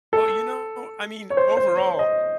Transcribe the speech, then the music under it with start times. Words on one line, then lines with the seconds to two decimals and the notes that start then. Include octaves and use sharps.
Well, you know I mean, overall,
0.13 A4
1.30 C#5
1.37 C5
1.57 C5
1.77 C#5
1.99 D#5